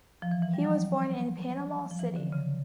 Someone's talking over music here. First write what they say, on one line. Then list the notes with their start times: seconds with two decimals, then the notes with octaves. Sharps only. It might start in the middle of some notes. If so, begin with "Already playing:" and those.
He was born in Panama City.
0.22 F3
0.31 E3
0.42 E3
0.54 G3
0.64 F#3
1.91 F3
1.99 E3
2.16 D3
2.32 C#3